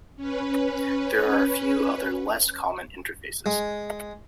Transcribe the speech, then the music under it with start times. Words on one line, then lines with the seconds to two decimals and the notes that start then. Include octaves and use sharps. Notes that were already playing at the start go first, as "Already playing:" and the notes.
There are a few other less common interfaces.
0.16 C#4 B4
3.46 G#3